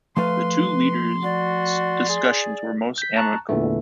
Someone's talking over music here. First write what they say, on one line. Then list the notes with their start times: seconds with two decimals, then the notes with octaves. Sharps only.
The two leaders' discussions were most amicable.
0.17 F3 A3 B4 F5 C6
1.23 F#4 D5
2.09 G#4
2.98 G6 B6
3.16 A5 A#5 C#6 F#6
3.49 E2 A#2 D3 E3 A3